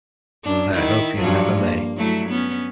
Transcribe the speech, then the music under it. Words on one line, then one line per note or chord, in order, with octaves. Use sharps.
I hope you never may.
F#2 D4
D#3 E4
G2 F3 F#3
A#3
F#3 A3 E4
B3 C#4